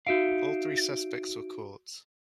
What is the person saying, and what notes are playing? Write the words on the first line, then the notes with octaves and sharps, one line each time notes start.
All three suspects were caught.
D#4 F#4 E5 F5 D7